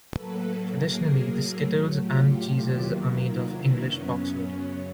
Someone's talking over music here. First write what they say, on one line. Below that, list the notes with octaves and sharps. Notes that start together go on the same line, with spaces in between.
Traditionally the skittles and the cheeses are made of English boxwood.
A2 F#3 A#3 A4 B4
G#4 A#4
A2 F#3 A3
F4 G4
E2 C3 D#3 F#3 A#3
D#4 F4
D4 E4
F#2 C#3 F#3 B3 C#4